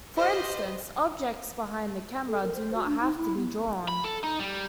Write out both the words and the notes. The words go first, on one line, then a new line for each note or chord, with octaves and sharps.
For instance, objects behind the camera do not have to be drawn.
F4 G4 B4 C5 D#5
A4
A#4
C5
F#4
D4
D#4
E4
B3
B5
A4
D#4
G3